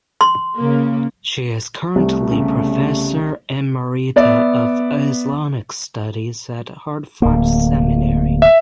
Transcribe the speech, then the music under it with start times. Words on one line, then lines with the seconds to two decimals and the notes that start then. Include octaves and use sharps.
She is currently Professor Emerita of Islamic studies at Hartford Seminary.
0.21 C6
0.58 C#3 A#3
1.95 C2 A3
2.31 C#3 B3 C#4
4.16 B3 D5 E5
7.22 D1 A#3
8.42 E5